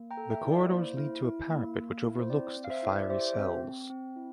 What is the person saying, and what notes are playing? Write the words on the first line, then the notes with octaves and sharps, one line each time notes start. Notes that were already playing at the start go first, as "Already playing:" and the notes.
The corridors lead to a parapet which overlooks the fiery cells.
Already playing: A#3
G5 A#5
A4
E5 G5
E4
D5
A#3 C5
E4
E4
A#3
A#3
E4
C5
C4 D5
C4
F5
C5 E5
E4
D5
G4 C5 E5
C4
C4
C4
E4